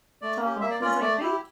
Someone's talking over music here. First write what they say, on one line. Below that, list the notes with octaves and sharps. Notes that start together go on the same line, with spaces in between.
talk “'cause I think
A3 D5
C#4 G4
A#3 E5
D5
C#4 F4 D5
A3 D5
E4 G4